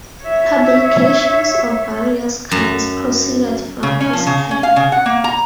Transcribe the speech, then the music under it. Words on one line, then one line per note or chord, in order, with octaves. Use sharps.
Publications of various kinds proceeded from his pen.
C#5 E5
F#2
C#3
C#4
F3
C#3
C#4
F5
C#3
F#5
A#3
A#5